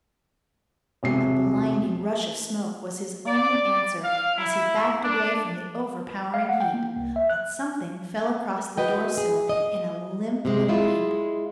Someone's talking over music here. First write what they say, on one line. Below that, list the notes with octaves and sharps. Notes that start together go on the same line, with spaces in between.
A blinding rush of smoke was his only answer as he backed away from the overpowering heat, but something fell across the door-sill in a limp little heap.
E1 C3 C7
D5
F5
E4
D4
F5
F#5
G5
A#3
C2
E5
F#6
F#4 B4 D#5 G5
G#4
D#5
C3 G#3 C4
G#3 E4 F4